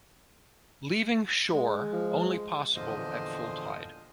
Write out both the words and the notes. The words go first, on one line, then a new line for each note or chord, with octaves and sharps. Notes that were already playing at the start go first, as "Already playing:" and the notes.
Leaving shore only possible at full tide.
G#3
F3
E2 A#2 D3 F3 C5 D#5